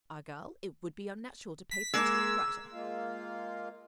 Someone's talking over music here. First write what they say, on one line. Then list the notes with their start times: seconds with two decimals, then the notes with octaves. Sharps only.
Argal, it would be unnatural to pay for a typewriter.
1.71 B6
1.94 G#3 A#3 E6
2.73 G#3 A#3 F4 F5